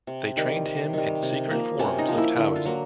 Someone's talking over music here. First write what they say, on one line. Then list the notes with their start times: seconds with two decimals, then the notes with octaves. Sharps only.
They trained him in secret forms of Taoism.
0.07 C3
0.37 D#3 G3
0.65 C3
0.93 D#3 G3
1.23 C3
1.51 F3 A#3
1.79 C3 C#4
1.99 D#4
2.08 F3 A#3
2.18 E4
2.36 D3 E4
2.56 F4
2.65 F#3 A#3